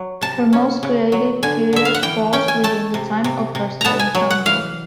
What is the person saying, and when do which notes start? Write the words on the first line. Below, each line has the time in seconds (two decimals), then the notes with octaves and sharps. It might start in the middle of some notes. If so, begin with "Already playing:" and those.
Her most creative period falls within the time of her stay in Hamburg.
Already playing: F#3
0.22 C3 A5
0.53 C#4
0.83 C#3
1.12 F#3
1.43 D3 G#5
1.73 D3 E5
1.85 F5
1.94 F#5
2.03 E3 G5
2.33 C#4 G5
2.48 G#5
2.64 A3 A5
2.94 C3
3.24 C3
3.55 C3
3.81 B3 A5 A#5
3.99 G#5
4.15 F#3
4.30 F#5
4.46 E3 F5